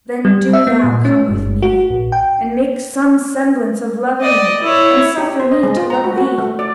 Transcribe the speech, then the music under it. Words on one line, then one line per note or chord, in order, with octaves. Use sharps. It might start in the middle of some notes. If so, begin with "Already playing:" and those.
Then do thou come with me, and make some semblance of loving me, and suffer me to love thee.
G3
E5
B3
A#2
C#4
G1
F#4
A#1
G5
D5 D#5
E4 C#5
G4
C5
D#5
G#3
F4
A#5
F#4
F#4
A3
D5